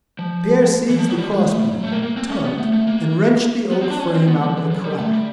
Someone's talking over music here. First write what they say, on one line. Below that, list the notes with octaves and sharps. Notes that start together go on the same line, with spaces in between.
Pierre seized the crossbeam, tugged, and wrenched the oak frame out with a crash.
F3
E3
F3
F#3
G3
G#3
A3
G3
F#3
A3
A#3
A#3
C4
C#4
B3
A3
A3
A#3
B3
C4
D4
C#4
C4
B3
F3
E3
F#3
G3
A3
G3